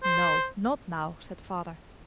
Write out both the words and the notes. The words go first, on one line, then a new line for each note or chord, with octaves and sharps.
"No, not now," said Father.
C5